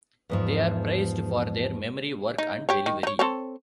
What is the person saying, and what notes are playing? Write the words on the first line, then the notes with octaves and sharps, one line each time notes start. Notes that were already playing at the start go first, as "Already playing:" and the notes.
They are praised for their memory work and delivery.
E2 G#2 F3
D#4
G4 C#5
D#3
D#4 C#5
C4 A4 C#5